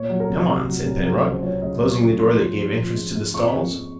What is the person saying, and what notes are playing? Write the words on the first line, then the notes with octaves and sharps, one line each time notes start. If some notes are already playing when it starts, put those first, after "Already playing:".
"Come on," said Penrod, closing the door that gave entrance to the stalls.
Already playing: A#2 C#5
F#3
A#4
C2
C2
F#3
C2
F#3 A#4
A#4
C#2 C5
F#3 C#5
C#2 D#5
F#3
C#6
C#2
F3 C6
F3
G#2
F3
G#2
G#2
F2 C#6
F2
F2